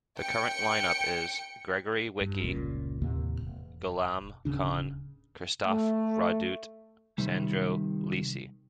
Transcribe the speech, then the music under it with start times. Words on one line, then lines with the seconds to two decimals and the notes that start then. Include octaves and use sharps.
The current line-up is: Gregory Wicky, Guillaume Conne, Christophe Roduit, Sandro Lisci.
0.19 G5 C#7
2.21 G2
2.42 F1 C#2 A#2 C#3
3.02 D#2 A2 C3 A#3
3.41 E1
4.45 D1 C2 C#3 D4
5.66 A3
7.18 C3 D#3 G3